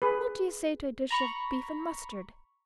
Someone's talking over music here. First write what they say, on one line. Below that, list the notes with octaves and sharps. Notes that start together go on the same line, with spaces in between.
"What do you say to a dish of beef and mustard?"
G#4 B4
A#5 B5 C#6